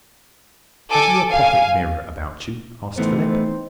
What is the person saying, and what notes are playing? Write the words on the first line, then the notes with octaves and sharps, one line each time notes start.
"Have you a pocket-mirror about you?" asked Philip.
A4 G#5 D6
F5 G#5
E3 A3 B3 C4 D#4 C5